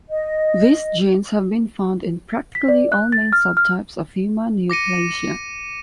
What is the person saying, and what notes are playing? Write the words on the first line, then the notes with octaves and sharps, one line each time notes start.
These genes have been found in practically all main subtypes of human neoplasia.
D#5
B6
D5
F#6
A6
F6
F6
D6 A#6 C#7 D#7